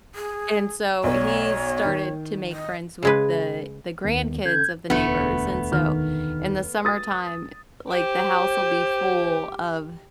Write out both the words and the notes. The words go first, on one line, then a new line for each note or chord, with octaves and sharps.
And so, he started to make friends with the the grandkids of the neighbors and so, in the summertime, like, the house will be full of
G#4
B1 C#5 D5
D#3
D#5
C#3 G#3 B4
D#2 D#3 B3
D3 C#4 A4 G6 G#6
E1 D2 A3 B3 D4
D#3 F6
D#6 A6
G4 C5